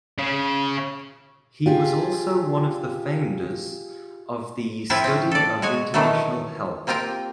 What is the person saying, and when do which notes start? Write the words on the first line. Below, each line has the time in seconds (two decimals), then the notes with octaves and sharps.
He was also one of the founders of the study of international health.
0.18 C#3
1.66 F4 G4 G#4
4.90 A2 F3 C4 E4 F4 E5
5.04 C4 C#4
5.31 A4 D5
5.62 G#3 F#4 C#5 G#5
5.94 D#3 E3 F#3 A3
6.87 A#3 C4 F4 G4 A#4